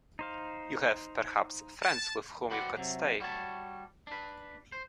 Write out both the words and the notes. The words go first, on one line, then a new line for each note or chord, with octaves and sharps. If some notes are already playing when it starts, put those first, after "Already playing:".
You have, perhaps, friends with whom you could stay?
D#4 C5 F5
A5
F#4 G4 B4 C5 D5 F#5
C3 F#3
G3 F#4 C5 C#5 A5
D4 B4
C5